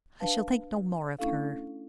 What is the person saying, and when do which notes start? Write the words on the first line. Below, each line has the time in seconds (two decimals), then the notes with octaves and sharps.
"I shall think no more of her."
0.20 D4 B4 F5 A5
1.19 A3 C#4 D4 E4 A4 F5